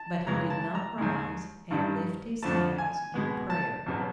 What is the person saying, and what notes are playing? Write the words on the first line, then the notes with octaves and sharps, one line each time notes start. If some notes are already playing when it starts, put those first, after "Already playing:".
But he did not rise and lift his hands in prayer.
Already playing: A5
F#2 C#3 E3 G#3 A#5
A5
A#5
D#2 D#3 G#3
A1 G2 D#3 G3
F2 D3 F3 A3 A5
G#5
B2 G#3 B3
A5
E2 B2 F#3